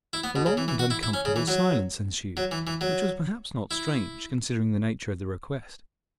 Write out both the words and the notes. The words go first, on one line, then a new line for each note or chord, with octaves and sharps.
A long and uncomfortable silence ensued, which was perhaps not strange, considering the nature of the request.
E4
B3
B2
C#3
E3
E3
F#4
E4
E4
C#4
C#3
E3
F#3
F#3
E3
E3
F#3
E4